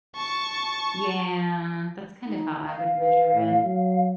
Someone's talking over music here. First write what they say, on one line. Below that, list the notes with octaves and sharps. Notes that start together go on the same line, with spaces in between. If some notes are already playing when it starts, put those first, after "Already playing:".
Yeah, that's kind of how I would measure it.
A5 C#6
D#4
F5
B4
A2
F#3